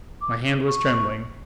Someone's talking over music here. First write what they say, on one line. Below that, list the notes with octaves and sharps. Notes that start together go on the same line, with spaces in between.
My hand was trembling.
D6
C#6